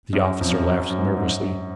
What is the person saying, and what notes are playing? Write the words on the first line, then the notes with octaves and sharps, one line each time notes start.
The officer laughed nervously.
F#2
F2
F#2
F2
F#2
F#2
G#2
G#2
F#2